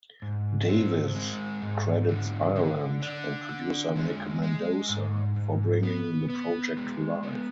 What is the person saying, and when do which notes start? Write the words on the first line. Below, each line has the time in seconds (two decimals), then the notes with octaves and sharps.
Davis credits Ireland and producer Nic Mendoza for bringing the project to life.
0.22 G#2
0.69 C4
1.15 G#3
1.62 G#2
2.09 D3
2.56 D3
3.02 D4
3.49 D3
3.96 G#3
4.43 G#3
4.89 G#2
5.36 G#2
5.83 B3
6.30 B3
6.77 G#3
7.23 B3